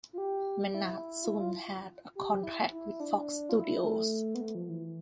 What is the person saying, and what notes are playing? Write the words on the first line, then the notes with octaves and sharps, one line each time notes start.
Maynard soon had a contract with Fox Studios.
F4
G4
E4
F4
E4
F4
G4
E4
E4
D4
F4
E4
A3
B3
A3
F3
E3